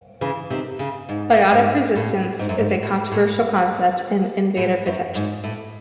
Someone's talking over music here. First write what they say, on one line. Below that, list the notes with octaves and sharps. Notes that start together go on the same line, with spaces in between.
Biotic resistance is a controversial concept in invader potential.
C#3 E3
C3 D#3
C#3
G#2
G#2
A2
G#2
F#2
G#2
A2
A2
A2
F#2
G#2
A2